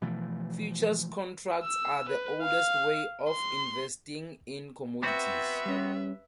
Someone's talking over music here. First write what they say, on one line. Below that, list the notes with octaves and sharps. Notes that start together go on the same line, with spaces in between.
Futures contracts are the oldest way of investing in commodities.
B2 E3 F3 A3
E6
B4
F5
C6
B3 C4 F#4 B4 E5
G3 C#4